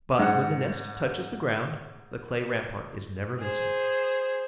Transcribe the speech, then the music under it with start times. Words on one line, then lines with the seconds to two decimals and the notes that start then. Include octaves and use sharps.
But, when the nest touches the ground, the clay rampart is never missing.
0.19 G#2 F#5
3.40 G#4 C5